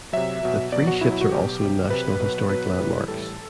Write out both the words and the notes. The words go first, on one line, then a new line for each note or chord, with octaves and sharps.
The three ships are also National Historic Landmarks.
C3 F#3 E5
B2 F#3
B2 F#3 D5
F#4
B2 F#3 E4
E4
F#4
B2 F#3 G4
C3 F#3
C3 F#3 B4
B2 F#3
B2 F#3 B4
A2 E3 G3
A2 E3 G3 A4